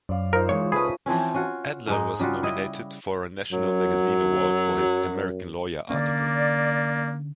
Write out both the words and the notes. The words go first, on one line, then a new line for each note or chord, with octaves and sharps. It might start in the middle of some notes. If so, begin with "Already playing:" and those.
Adler was nominated for a National Magazine Award for his "American Lawyer" article.
F#2 D5 F5
D#4 F4 A#4 C5
E3 G#3 C#5
C#2 A3 C#4 G#4 B4 B5 D#6
E3 F3 C4 C#4
C#4 F4 F#4
G#2 G#3 D#4
C#3 G3 F4 F#4
E4 D#5
F#2 F#3
D3 A#3 C#4 D5